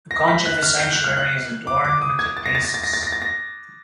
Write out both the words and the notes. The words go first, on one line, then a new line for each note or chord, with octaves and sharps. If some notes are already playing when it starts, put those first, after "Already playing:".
The conch of the sanctuary is adorned with the Deesis.
A#6
B6
F#6
F6
G6
F#6
F6
F#6
D6
D6
D#6
G#6
A6
A#6
A6
A#6
A6
A#6
A6
A#6
A6
A#6